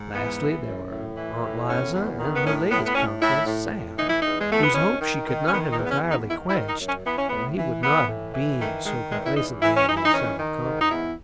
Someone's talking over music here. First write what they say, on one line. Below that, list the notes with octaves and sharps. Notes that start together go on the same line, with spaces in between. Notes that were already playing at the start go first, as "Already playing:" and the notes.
Lastly, there were Aunt 'Liza and her latest conquest, Sam, whose hopes she could not have entirely quenched or he would not have beamed so complacently on the assembled company.
Already playing: G#2
E3 B3
E3
F#2
A2
E3
A2
E2 C#4
E2
D#3
B3
A2 C#4
A2 B3
B3
A2 C#4
A2 E4
A2
A2
E3 D#4
E4
E2 D#4
G#3
E2 A3
B3
D#3 C#4
D#3
D#3
C#4
D#3 B3
D#4
E2
B3
C#4
E2
D#4
D#3 E4
E4
D#3
D#4
F#2
C#4
E3 B3
C#4
A2 B3
E3
E3 B3
A2
E3
D#3 A3
D#3 G#3
E2 G#3
E4
E3 D#4
E3 E4
C#4
E3 D#4
E4
D#4
D#3 C#4
D#3
G#2
D#4
E2 E4